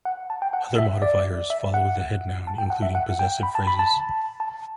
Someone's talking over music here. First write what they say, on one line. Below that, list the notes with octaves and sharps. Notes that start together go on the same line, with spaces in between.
Other modifiers follow the head noun, including possessive phrases.
F#5
A5
G5
F#5
E5
D5
E5
F#5
A5
G5
F#5
E5
F#5
G5
B5
A5
B5
A5
A5